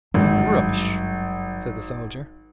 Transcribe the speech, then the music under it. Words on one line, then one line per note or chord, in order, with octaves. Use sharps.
"Rubbish!" said the soldier.
G#1 G2 F#3